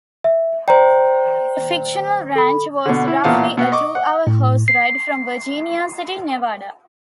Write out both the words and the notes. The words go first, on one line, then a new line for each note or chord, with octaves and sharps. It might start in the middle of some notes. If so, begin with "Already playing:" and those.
The fictional ranch was roughly a two-hour horse ride from Virginia City, Nevada.
E5
C5 D5 G5 A#5
A4 B5
B2 D3
E4
A1 A#2 B3 F5 F#5 A5
B2 B3
D#5 C#6 D6
F#5
A2
C7